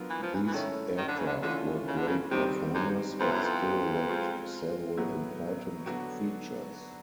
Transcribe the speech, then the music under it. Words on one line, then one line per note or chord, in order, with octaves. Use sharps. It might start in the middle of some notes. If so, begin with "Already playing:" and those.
These aircraft were great performers, but still lacked several important features.
Already playing: F#3 B3 D4 F4 A#4
E3
F3
E3
E3
D#3 A3 C#4 E4 A4 C#5
D#3
D3
C#3
D3
D3 E3 A3 C#4 F4
C#3
D3
C#3
C3 D#3 G3 C4 D#4
F#2
F2 B3 E4 A4 C5
F#2
F2
G#3 C4 F4
A2 F#3 B3
D3 F#3 B3 D4 F#4